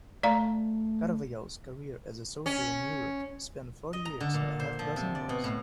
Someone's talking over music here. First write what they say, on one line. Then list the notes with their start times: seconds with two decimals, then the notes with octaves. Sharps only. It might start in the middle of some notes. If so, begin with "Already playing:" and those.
Carvajal's career as a soldier in Europe spanned forty years and a half-dozen wars.
0.23 A3 D5 F5 A#5
2.46 C#4
3.93 D#5
4.05 A#5
4.20 D3
4.34 A#2
4.59 C5
4.79 F3
4.96 C3
5.15 D5
5.29 B2
5.44 A2